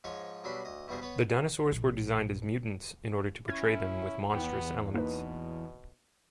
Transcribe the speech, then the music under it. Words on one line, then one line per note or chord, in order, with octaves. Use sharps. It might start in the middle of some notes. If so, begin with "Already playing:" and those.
The dinosaurs were designed as mutants in order to portray them with monstrous elements.
G#2 F3 G#3 C#5 C#6
B1 F#3 G3 D4 B5 C6
D2 D#5
E2 G2 B2 G3 G#4 C5
B3 B4 C#5
A#1
C#4 E4 G#6
E2 B3 G5
B2 A#3 D#4 B4